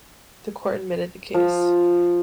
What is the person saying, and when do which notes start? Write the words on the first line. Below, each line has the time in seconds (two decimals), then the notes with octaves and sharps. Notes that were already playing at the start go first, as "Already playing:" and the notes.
The court admitted the case.
1.34 F3